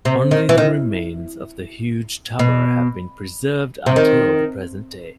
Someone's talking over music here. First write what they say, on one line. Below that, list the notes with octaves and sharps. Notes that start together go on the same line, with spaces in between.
Only the remains of the huge tower have been preserved until the present day.
C3
D#3
E3
D#3
B2
C3
D#3